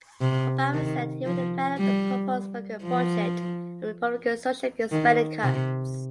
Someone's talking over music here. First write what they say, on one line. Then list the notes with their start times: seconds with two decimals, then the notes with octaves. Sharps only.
Obama said he would veto a proposed Republican budget over Republican social spending cuts.
0.21 C3
0.73 D#3
1.25 F3
1.78 G3
2.83 F3
4.92 D#3
5.43 C3